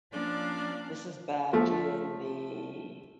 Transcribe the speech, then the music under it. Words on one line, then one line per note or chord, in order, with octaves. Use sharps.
this is back in the
F3 A#3 C#4 D4 D5 F5
F3 A3